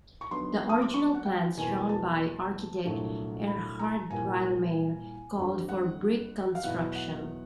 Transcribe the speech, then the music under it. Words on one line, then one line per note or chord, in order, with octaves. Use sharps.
The original plans drawn by architect Erhard Brielmaier called for brick construction.
C#6
D#2 D3 F#3 B3 D4 C6
D#6
D6
C#6
F#5
G5
E2 B2 F#3 A#3 G#5
A5
C2 A#2 F#3 A3 D4
B5
A#5
C2 A#2 G3 A#3 G#5
F2 D3 G3
F#5
F5
E2 B2 F#3 B3 E4 F#5
F#5